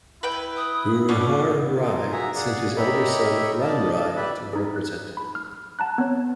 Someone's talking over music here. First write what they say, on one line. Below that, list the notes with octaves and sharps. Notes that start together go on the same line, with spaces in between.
Guru Har Rai sent his elder son Ram Rai to represent him.
E4 B4 G5
D#6
B2 F#3 C#4 D4 D6
D#4 F4 A#4
F#4 G#4 E5 G#5 A#5
G#4 D5 F5 F#5
G4 A#4 C#5 D#5 E5 B5
D5 D#5 A5
G4 B4 D5 E5 F#6
D#4 G#4
F#6
B5
F6
F#5 A5 A#5 F#6
B3 C4 C#5